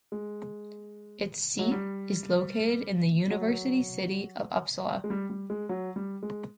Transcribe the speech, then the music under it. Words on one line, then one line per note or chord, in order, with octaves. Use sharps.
Its seat is located in the university city of Uppsala.
G#3
F#3
G3
F#3
G#3
G3
G3
G#3
F#3
G3
G#3